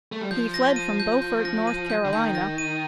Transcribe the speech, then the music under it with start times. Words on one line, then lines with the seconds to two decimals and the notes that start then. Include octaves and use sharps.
He fled from Beaufort, North Carolina.
0.12 A3
0.21 G3
0.31 F3 G6
0.54 A#6
0.76 D#7
1.00 G6
1.22 G6
1.45 A#6
1.67 D#7
1.90 G6
2.05 D3
2.13 D#3 G6
2.35 A#6
2.58 D#7